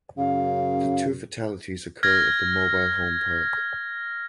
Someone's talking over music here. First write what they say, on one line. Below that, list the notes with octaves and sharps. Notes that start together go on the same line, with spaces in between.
The two fatalities occurred at the mobile home park.
F#2 C#3 F5
F6 G#6 A#6